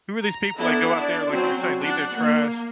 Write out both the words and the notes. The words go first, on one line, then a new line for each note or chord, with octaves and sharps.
who are these people that go out there, like you were saying, leave their trash?
A#5
B3 D4 E4 A4
D4 D5
F#3 C4 C#4 F#4
D4 F#5
A#3